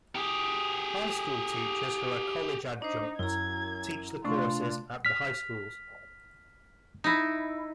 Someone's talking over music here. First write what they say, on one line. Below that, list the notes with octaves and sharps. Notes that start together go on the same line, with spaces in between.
High school teachers who are college adjuncts teach the courses at the high schools.
G4 G#4
D4 D#4 C5
F#2 E4 A#5 G#6
C3 A3 D4 F4 C#6
F6 B6
D#4 E4